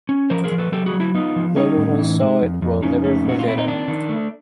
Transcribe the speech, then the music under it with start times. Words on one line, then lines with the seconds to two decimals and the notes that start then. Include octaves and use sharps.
Whoever once saw it will never forget it.
0.09 C#4
0.30 F3 A#4 C5
0.44 G#4 A#4
0.52 F3
0.58 A4 B4
0.72 F#3 G4 A4
0.86 F#4 G#4
0.93 F#3
1.00 E4 F#4
1.15 B3 D#4 F4
1.36 F3
1.56 G3 C#4 D#4
1.77 A2
1.99 E3
2.20 G#3
2.41 F2
2.62 F2
2.83 F2 C#4 D#4
3.04 A3
3.25 A#2 F#4
3.39 F4
3.46 C4 E4
3.58 D#4
3.67 D#3 D4
3.88 D#3
4.09 A3